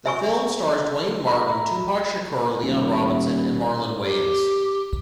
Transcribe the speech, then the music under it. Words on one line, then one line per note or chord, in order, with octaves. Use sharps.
The film stars Duane Martin, Tupac Shakur, Leon Robinson and Marlon Wayans.
E5 G#5 C#6
E5 A#5 B5
D#1
G4